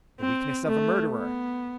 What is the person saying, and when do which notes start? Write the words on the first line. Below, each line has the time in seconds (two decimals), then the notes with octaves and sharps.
"The weakness of a murderer!"
0.20 C4
0.66 A3
1.12 B3